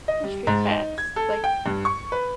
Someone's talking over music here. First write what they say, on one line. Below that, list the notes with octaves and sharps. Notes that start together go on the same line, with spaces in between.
history facts", like
D#5
G3
G#2
D#4
G#6
A4
G5
G2
C#6
B4